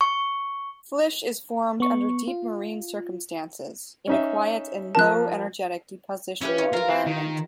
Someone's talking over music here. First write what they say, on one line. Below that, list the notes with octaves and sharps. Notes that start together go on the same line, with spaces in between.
Flysch is formed under deep marine circumstances, in a quiet and low-energetic depositional environment.
C#6
B3 C#6
F4
C#4 D#4 E5
F3 A#4 A5 F#6
C#4 E4 G4 B4
F4 C#5
F4 A#4 F5
C4
D#3